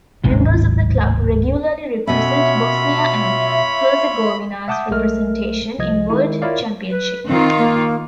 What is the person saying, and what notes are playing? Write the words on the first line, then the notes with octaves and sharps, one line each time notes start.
Members of the club regularly represent Bosnia and Herzegovina's representation in world championships.
D1 G#1 G#2 C3
B2 C#4 F4 C#5 E5 B5
E5 F#5 A5 D6 D#6 G6
B1 G#3 A3 A#4 F6
C2 F3 D#5 G#6
D#3 G#3 E4
E4 F4 A#4 C#5 D5 F5
B4
D#3 C4 F4
A#3